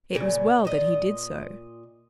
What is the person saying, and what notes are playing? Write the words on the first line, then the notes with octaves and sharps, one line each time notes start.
It was well that he did so.
A#2 C#3
A#2 D#5